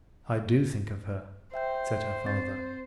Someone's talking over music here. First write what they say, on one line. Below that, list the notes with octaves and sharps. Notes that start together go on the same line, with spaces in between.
"I do think of her," said her father.
C5 E5 G5 G6
C4 A6